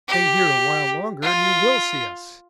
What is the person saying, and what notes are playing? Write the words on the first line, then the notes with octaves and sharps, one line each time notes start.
"Stay here a while longer and you will see us!"
G4
F4